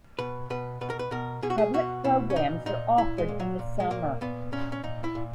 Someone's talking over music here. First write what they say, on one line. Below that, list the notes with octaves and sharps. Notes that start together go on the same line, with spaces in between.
Public programs are offered in the summer.
B2 B4
B2 B4
B2 B4
A#4
B4
B2 A#4
B2 G#4
F#4
G#4
B2 F#4
B2 E4
C#4
A#2 D#4
A#2 D#4
A#2 E4
G#3
A#2
F#3
A#2
G#3
A#2 A#3
A#2 B3
A#2 C#4
C#4
A#2 D#4
E4
A#2